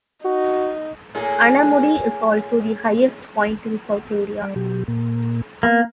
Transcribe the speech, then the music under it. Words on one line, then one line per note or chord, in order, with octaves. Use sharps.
Anamudi is also the highest point in South India.
D#4 F#4
A2 A#3 G#4
G3 D5
B2 F#3 G4
A#2 A#3
A#3 B3